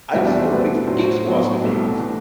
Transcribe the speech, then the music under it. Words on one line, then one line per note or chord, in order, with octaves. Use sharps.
I used to go fix the Geek Squad's computers.
E2 B2 G3 E4 E5
D4 D5
C5
C2 B2 A3 D4 B4
A2 F#3 A3 C5
B1 A2 F#3 B3
C2 B2 A3 D4
E3 A3 D4